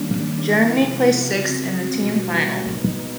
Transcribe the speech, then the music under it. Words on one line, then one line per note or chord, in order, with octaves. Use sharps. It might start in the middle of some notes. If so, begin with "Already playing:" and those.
Germany placed sixth in the team final.
Already playing: D#3 G3 A#3 C#4 D4
C3 F3 G#3 B3 E4
F4
C#3 F3 G#3 C4 F#4
F#4
B2 G3 A#3 C#4
B2 G#3 B3 D#4